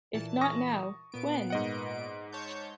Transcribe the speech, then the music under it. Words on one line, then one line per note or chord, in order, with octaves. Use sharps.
If Not Now, When?
A#2 E3 A5
C#6 D#6 A#6
A#2 B3 D7
G#2 D#5 F#5
C#5 A5 G6